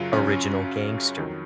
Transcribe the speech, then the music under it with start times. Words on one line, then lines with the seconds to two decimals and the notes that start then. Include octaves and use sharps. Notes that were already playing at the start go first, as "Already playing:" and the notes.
Original Gangster.
Already playing: F#2 C#3 F#3 F4
0.13 C#4
1.17 F2 D#3 F#3